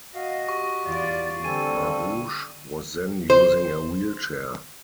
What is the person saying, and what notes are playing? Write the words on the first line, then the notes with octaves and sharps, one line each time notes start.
Maruge was then using a wheelchair.
F#4 D#5 F5
G4 C#6
E2 F4 D5
D3 G3 C4 A4 G#5 D#7
F5
C5